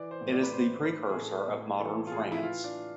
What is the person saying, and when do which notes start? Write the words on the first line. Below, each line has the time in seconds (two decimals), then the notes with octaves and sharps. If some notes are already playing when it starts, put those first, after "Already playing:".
It is the precursor of modern France.
Already playing: E3 D5
0.11 C5
0.21 A2
0.32 D5
0.43 B4
0.53 E3 C5
0.85 A2 B4
1.09 G#4
1.16 A2 A4
1.47 A2
1.79 E3 A4
2.07 F4
2.12 A2 G#4
2.32 E4
2.43 E3 F4
2.64 D4